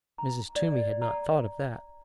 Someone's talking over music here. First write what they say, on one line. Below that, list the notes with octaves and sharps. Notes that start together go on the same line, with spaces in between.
Mrs. Toomey had not thought of that.
A#5
D5
A#5